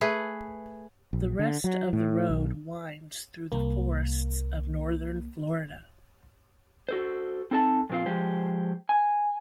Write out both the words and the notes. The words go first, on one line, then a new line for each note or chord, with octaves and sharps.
The rest of the road winds through the forests of Northern Florida.
A3 G#4 B4
A#1
D3
F#3
A2
B1
C2 A#3
F#4 A4 C5
C4 D#4 A4 D5 A5
F2 A#2 C4 F4 F5
F3 G#3 G4 C5
G#5